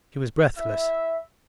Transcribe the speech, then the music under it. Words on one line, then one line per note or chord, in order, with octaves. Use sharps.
She was breathless.
E4 E5